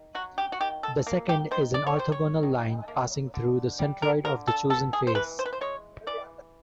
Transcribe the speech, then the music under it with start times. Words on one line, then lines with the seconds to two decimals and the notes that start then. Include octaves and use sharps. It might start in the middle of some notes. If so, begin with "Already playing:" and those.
The second is an orthogonal line passing through the centroid of the chosen face.
Already playing: D#3
0.15 F#3 F#4
0.38 G4
0.52 F#4
0.60 D#3 G4
0.83 A4
1.07 A#3
1.29 G4
1.51 D#3 C5
1.74 D5
1.87 C#5
1.96 G3 C5
2.12 C#5
2.43 D#3
2.88 A#3
3.34 D3
3.79 G3
4.02 A#4
4.25 D3 A#4
4.47 A4
4.70 B3 A4
4.93 G#4
5.07 C5
5.15 E3 B4
5.39 C5
5.46 B4
5.53 C5
5.61 G#3 C#5
6.07 E3 D5